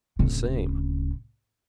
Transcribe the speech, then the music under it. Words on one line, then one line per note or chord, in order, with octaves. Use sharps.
"The same."
D1 C#3